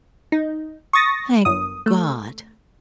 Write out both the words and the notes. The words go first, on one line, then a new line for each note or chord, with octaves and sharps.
"Thank God!"
D#4
C#6 D#6 A6 A#6
G1 F#2 D#6
A3